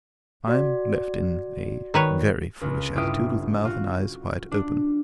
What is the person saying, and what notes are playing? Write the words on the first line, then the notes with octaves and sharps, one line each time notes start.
I am left in a very foolish attitude, with mouth and eyes wide open.
F#4 D5
D#3 B4 C#5
C#2 C#3
G1 E4 F4 G4 D#6 D7
F4 F#4
D4